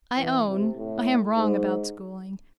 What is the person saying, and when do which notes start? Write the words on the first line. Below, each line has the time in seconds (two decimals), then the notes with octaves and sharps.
'I own, I am wrong about schooling.
0.17 E3
0.46 C3
0.75 A2
1.34 G#2